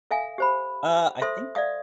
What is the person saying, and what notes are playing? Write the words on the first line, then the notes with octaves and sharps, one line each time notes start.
Uh, I think
A4 E5 F5 G#5
G4 C5 B5
A4 C5 E5 C6 D#6
D5 E5 F5 D#6